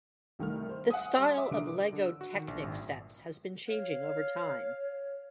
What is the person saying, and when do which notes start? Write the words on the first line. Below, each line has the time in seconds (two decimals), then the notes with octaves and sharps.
The style of Lego Technic sets has been changing over time.
0.39 C2 D#3 A3 F6
0.69 C5
0.90 E5 F#5 G#5 D#6
1.18 G3 C6
1.37 E5 D6 D#6
1.51 D3 A#4 D7
1.93 D3
2.06 E6
2.21 F#4
2.35 D#3
2.48 A#1
2.63 G#1
3.69 C#5 F5